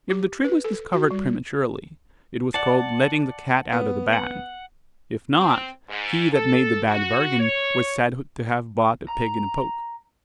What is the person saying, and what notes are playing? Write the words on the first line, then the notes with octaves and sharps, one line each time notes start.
If the trick was discovered prematurely, it was called letting the cat out of the bag--if not--he that made the bad bargain was said to have bought a pig in a poke.
G4
B4
A4
F#4
G3
D5 F#5 A5
B3
F#5
C4
G#2
A4
F#4
C#5
A#5